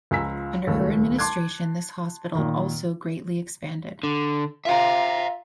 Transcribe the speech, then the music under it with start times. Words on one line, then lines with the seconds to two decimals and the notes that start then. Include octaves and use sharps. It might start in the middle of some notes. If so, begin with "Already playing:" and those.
Under her administration this hospital also greatly expanded.
0.11 C#2 F3 G#5 A#5 E6 B6
0.67 D#1 C#2 A3 C#5
1.19 A5 C6 D6 F#6 G#6
2.35 A#2 D#3
4.03 D3
4.65 F4 E5 G5 A#5